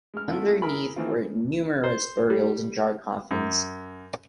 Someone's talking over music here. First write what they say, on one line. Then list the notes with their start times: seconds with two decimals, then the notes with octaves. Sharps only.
Underneath were numerous burials in jar coffins.
0.14 G#3 F6
0.28 F2 A3 E4 F4 F#5
0.62 E4 G#4 A#4 B5
0.96 D#3 E3 A3 A#3 C4 F4
1.84 C5
2.30 G3
3.31 F#2